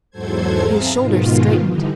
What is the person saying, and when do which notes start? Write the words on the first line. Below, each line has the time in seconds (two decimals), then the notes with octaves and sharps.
His shoulders straightened.
0.10 E2 G#2 F#3 A4 C5 G#6
0.62 C4 G#4 E5 F5 A5 A#5
0.95 G#2 B2 D#3 F4
1.64 D3 E3 G3 D#4